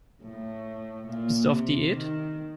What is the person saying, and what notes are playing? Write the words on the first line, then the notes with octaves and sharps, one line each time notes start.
Bist du auf Diät?
A2
A#2
C3
D#3